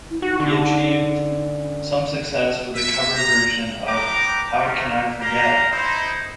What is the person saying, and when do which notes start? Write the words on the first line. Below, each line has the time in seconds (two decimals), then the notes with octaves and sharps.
He achieved some success with a cover version of How Can I Forget?
0.10 E4
0.22 D#4 F#4
0.40 D3
1.30 C#4
2.75 E5
3.15 A#5
3.87 B3 C4 G4 G5 A#5 D6
4.58 A3 A#3
5.21 A#3 G4 F5 A#5
5.71 D#4 E4 C5